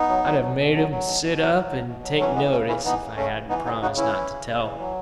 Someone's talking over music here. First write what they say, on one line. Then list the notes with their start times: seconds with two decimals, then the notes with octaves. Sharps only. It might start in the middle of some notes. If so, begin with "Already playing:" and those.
I'd have made them sit up and take notice if I hadn't promised not to tell.
Already playing: B3 D#4
0.09 F#3
0.24 F#3
0.41 B2
0.57 B2
0.74 F#3
0.90 F#3
1.06 B2
1.23 B2
1.39 F#3
1.54 F#3
1.71 B2
1.87 B2
2.03 F#3
2.19 E3 A3 C#4
2.35 C#3 G#3 B3
2.51 C#3 A3 C#4
2.68 E3 C#4 E4
2.84 E3 B3 D#4
3.01 C#3
3.16 C#3 A3 C#4
3.33 E3
3.49 E3 B3 D#4
3.65 C#3 B3 D#4
3.81 C#3 D#4 F#4
3.97 E3 C#4 E4
4.13 E3
4.30 C#3
4.46 C#3
4.62 E3
4.79 F#3